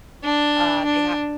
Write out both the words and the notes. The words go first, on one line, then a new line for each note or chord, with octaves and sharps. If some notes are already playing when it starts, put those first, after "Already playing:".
U uh, they ha
D4
D4